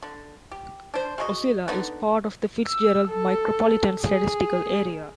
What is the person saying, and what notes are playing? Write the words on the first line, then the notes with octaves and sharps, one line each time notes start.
Ocilla is part of the Fitzgerald Micropolitan Statistical Area.
D3
G4
D4 C5
G#3 A3 F#4 D#5
D3 B3 D#4
E6
A4
G#4